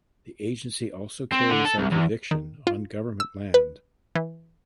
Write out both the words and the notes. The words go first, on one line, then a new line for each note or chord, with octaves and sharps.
The agency also carries out eviction on government land.
C4
D3
A4
C2
E2
D#3
F4
E6
B4
E3